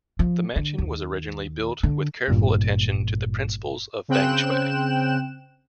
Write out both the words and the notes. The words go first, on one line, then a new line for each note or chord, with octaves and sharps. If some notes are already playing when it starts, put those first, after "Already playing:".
The mansion was originally built with careful attention to the principles of Feng Shui.
F3
D3
D#2
D3
G#1 E2 G2 A#2
C#3 C4 G5 F#6 E7